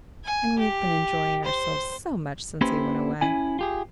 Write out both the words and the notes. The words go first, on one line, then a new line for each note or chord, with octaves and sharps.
And we have been enjoying ourselves so much since he went away!
G#5
G4
C5
A#3 C#4 E4 G4 B4 C5
C#4 E4 G#5
F4 G4 G#4